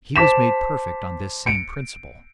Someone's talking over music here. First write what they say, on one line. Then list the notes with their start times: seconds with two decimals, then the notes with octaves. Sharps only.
He was made perfect on this same principle.
0.16 C5 A5 D6 B6 E7
1.46 C#7 D7